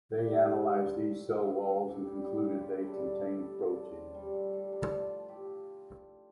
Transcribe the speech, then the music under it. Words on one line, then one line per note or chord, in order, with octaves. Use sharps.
They analysed these cell walls and concluded that they contained protein.
G3 D5
G3
G3
F3
A2
A2
A2 E4
A2
A2
A2 G4
G3
G4
A2
C#3 G4
C#3 F4
E4
G3 D4
A2 D4
A2 D4
G3 D4
C#3 D4
F3
F3
G3
A2
G3
F3 D4
F3
F4
F3
A2 G4